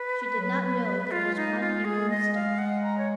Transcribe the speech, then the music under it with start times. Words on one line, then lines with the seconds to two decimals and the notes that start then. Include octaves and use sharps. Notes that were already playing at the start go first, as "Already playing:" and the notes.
She did not know there was one in Moonstone.
Already playing: B4
0.38 F#3
1.10 G#3 F4
1.36 D#4
1.60 F4
1.85 G#4
2.10 D#5
2.34 F5
2.58 F#5
2.83 A#5
2.98 C#5